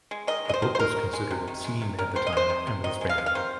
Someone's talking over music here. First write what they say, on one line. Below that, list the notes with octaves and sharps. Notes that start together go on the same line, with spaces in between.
The book was considered obscene at the time and was banned.
G#3
D#3 D#5
G#3 D#5
C5
D#3
C5
G#3 A#4
D#3
G#3
C3
D#3
G#3
C3
C3 A#4
D#3 C5
D#5
G#3 C5
C3
C3
D#3 D#5
G#3
F5
C3
F5
D#3 C5